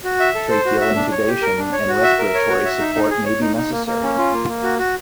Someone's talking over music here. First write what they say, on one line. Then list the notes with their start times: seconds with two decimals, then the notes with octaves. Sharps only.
Tracheal intubation and respiratory support may be necessary.
0.04 F#4
0.20 E5
0.35 A4
0.50 C5
0.65 F#4
0.80 E5
0.96 D4
1.12 C#5
1.27 G4
1.42 A#4
1.57 D4
1.72 C#5
1.88 F#4
2.03 E5
2.19 A#4
2.34 C#5
2.49 F#4
2.65 E5
2.80 D#4
2.95 D#4
3.10 G#4
3.25 C#5
3.41 D#4
3.56 D#4
3.71 A#3
3.87 A#3
4.02 C#4
4.18 F4
4.33 A#3
4.48 A#3
4.63 F#4
4.79 F#4